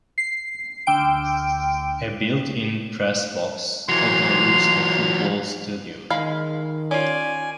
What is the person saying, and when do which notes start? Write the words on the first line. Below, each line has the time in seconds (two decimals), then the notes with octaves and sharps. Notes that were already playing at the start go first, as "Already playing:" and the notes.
A built-in press box overlooks the football stadium.
0.18 C7
0.87 D2 G5 D7
3.89 E3 F#3 C6 F7
6.10 D#3 G#3 F5 B5
6.91 C#4 F4 D5 G#5